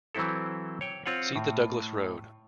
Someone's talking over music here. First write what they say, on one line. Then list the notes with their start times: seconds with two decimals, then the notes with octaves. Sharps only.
See the Douglas Road.
0.15 E3 F#3 C4 E4 A4
0.81 C#5 G5
1.06 C4 F4 C#5 F#5
1.36 A2